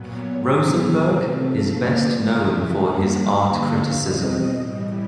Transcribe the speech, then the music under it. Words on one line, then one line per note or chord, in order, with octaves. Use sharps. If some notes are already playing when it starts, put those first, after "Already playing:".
Rosenberg is best known for his art criticism.
Already playing: A#2 F#3 B3
C#5
A2 F#3 B3 G4
G#4
C3 F3 A3 C4
A4
A#2 F3 A#3
D5
C#3 E3 G#3 E5
D#3 G3 A#3 F#5
D3 F3 A#3 F5
B2 G3 C4 D#5
A2 E3 G3